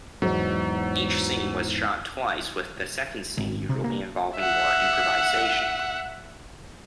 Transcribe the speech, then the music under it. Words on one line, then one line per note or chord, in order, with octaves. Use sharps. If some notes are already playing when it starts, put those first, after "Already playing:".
Each scene was shot twice with the second scene usually involving more improvisation.
E2 G#2 F#3
G#1
C3
A#3
E5 F#5